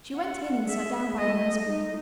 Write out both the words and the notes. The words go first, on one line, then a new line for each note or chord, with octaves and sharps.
She went in and sat down by her husband.
F#5
G#4 E5
A3 D#5
D#4